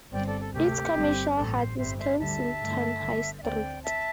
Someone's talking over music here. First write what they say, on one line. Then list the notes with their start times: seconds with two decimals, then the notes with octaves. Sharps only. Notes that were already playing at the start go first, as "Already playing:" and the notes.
Its commercial heart is Kensington High Street.
0.12 G1 G2 G3 C4 D5 G5
0.26 A4 D5
0.40 A4
0.53 D2 C3 A3 G4
0.95 G1 G2 G3 C4
1.36 A1 A2 G3 C4 A4
1.57 C5
1.77 G1 G2 G3 C4 C5 E5
1.98 C5 E5
2.18 D2 D3 G3 E5 A5
2.60 G2 D3 A3
3.00 G1 G2 D3
3.38 E5
3.42 D2 D3 C4 D5 G5
3.83 E5 A5